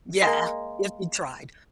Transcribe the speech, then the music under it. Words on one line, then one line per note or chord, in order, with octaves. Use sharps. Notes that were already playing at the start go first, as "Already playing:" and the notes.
Yeah, if you tried.
G#3 A#3